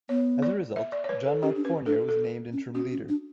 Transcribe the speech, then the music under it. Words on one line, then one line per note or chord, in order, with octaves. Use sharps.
As a result, Jean-Marc Fournier was named interim leader.
B3 C#5
D5
E5
D5
C#5
B4
A4
C#4 G4
D4
C#4 B4
D4 A4
A4
C#4
C#4 F#4
C#4
D4